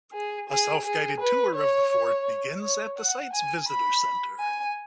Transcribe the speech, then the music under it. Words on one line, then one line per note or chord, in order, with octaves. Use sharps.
A self-guided tour of the fort begins at the site's visitor center.
G#4
G#4
G#4
B4
C#5
C#5
F#5
G#5
B5
G#5